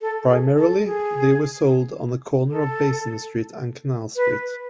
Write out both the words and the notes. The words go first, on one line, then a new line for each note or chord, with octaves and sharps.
Primarily they were sold on the corner of Basin Street and Canal Street.
A4
G#4
A4
G#4
A4
B4